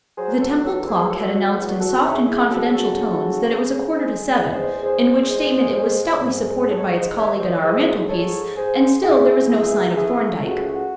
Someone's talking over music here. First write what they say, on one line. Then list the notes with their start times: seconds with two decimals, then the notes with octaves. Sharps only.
The Temple clock had announced in soft and confidential tones that it was a quarter to seven, in which statement it was stoutly supported by its colleague on our mantelpiece, and still there was no sign of Thorndyke.
0.17 F#3 G#4 C5
0.40 A4 C#5
0.63 E2 A4 C#5
0.87 G#4 C5
1.10 F#3 A4 C#5
1.34 F#4
1.57 E2 F#4
1.80 F#4 A4
2.03 C#3 C#5 E5
2.26 E4 G#4
2.50 C#3 F#4 A4
2.73 F#4 A4
2.97 C#3
3.43 C#3
3.90 G#3 C5 D#5
4.37 E2
4.52 C5 D#5
4.83 E2 G#4 C5
5.30 G#3
5.76 G#2
6.23 G#2
6.70 G#2 A4 C#5
6.93 C5 D#5
7.16 D#3 C#5 E5
7.39 C5 D#5
7.63 G#2 C5 D#5
8.09 G#2 A4 C#5
8.56 G#2 G#4 C5
9.02 G#2 E4 G#4
9.49 C#2 E4 G#4
9.96 A3 E4 G#4
10.43 C#2 F#4
10.74 F#4